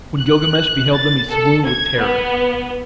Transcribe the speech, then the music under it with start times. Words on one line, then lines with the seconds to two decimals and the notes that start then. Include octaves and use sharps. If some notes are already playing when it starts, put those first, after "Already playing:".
When Gilgamesh beheld them he swooned with terror.
0.21 F#6
0.94 A6
1.31 A4
1.67 G#6
2.00 B3